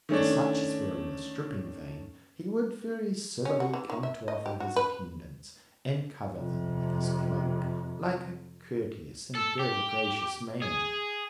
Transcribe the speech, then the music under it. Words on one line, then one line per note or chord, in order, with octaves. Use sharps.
To such as were in the stripping vein he would very civilly come to offer his attendance, and cover them with his cloak, like a courteous and very gracious man.
D#3 A3 C#4 D4
C#4
F#4
E3
D#3
E5
D#5
G4
F#4
B4
F2 C3
A4
G4
G#4